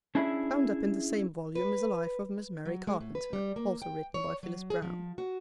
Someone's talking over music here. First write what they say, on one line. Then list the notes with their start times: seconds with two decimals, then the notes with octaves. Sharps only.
Bound up in the same volume is a Life of Miss Mary Carpenter, also written by Phyllis Browne.
0.15 C#4 D4 E4 G#4 E5 B5
1.55 B4
2.65 F#3
2.87 G#3
3.00 A2
3.15 B4
3.33 G3
3.56 A#3
3.82 G5
4.14 C#5
4.43 F#3
4.70 G#4
4.82 F3
5.18 F#4